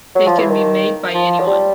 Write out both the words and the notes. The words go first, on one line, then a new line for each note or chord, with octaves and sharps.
They can be made by anyone.
F#3
F3
E3
D#3
F3
F#3
G3